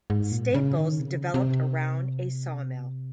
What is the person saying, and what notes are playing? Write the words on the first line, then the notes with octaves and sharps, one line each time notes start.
Staples developed around a sawmill.
G#2
A#2
C#3
D#3
C3
C#3
C3